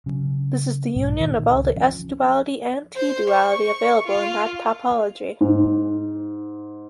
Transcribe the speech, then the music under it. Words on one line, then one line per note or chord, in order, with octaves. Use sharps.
This is the union of all the S-duality and T-duality available in that topology.
C#3 F#3
B1 G#2
A#2 D#3
C#2
F3 C#4
C5
C#6
F4
G#2